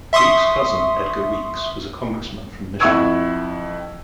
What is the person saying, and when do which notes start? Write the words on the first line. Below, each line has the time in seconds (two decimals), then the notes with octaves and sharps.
Weeks's cousin, Edgar Weeks, was a congressman from Michigan.
0.13 E5 C6 C#6 D#6
2.80 F2 E4 F#5 C#6 E6 G#6